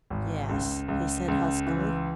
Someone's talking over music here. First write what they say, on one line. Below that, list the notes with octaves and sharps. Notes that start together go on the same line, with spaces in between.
"Yes," he said huskily.
G#1
C#2
C#2
C#2
E3